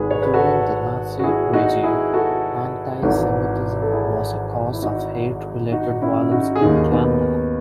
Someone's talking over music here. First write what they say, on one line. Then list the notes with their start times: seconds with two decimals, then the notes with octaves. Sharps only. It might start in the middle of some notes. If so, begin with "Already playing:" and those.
During the Nazi regime, anti-Semitism was a cause of hate related violence in Canada.
Already playing: G#1 G#2 D#3 F#4 G#4 B4
0.11 C#5
0.22 B4
0.34 F#4 A4
1.19 F#4
1.24 E4 G#4
1.53 D#4 F#4
1.84 E4 G#4
2.13 F#4 A4
3.02 G#1 G#2 E3 F#4 A4
3.82 A4
3.92 E4 G#4
4.73 E4
4.82 D#4 F#4
5.72 D#4 F#4
6.02 C#4 E4
6.31 D#4 F#4
6.55 G#4
6.61 D#2 D#3 D#4 F#4
6.91 B3 D#4